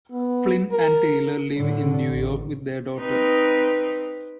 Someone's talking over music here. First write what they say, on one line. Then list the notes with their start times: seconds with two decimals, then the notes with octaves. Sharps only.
Flynn and Taylor live in New York with their daughter.
0.11 B3
0.71 A#4
1.57 A2 D3
2.08 A1
2.99 C4 D#4 B4